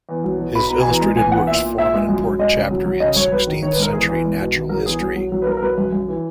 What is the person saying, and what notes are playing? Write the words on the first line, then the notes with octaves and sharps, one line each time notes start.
His illustrated works form an important chapter in sixteenth century natural history.
E2
F#3
B2
B2 B5
B2 A#5
E2 G#5
A#5
G#3
E2 G#5
E2 F#5
A#2 E5
A#2
A#2 E5
G#3
F#2
F#2
G#3 D#5
C#3
F#3
F#3
C#3 D#5
F#2 C#5
F#3 B4
D#3
D#3 C#5
B4
G#2
A#4
E2 G#4
E2
G#3
B2
D#3
F#3 A#4
E2 G#4
F#3
F#3
F#3
B4
F#3 A#4
A#4
F#3 B4
F#2
F#2
E3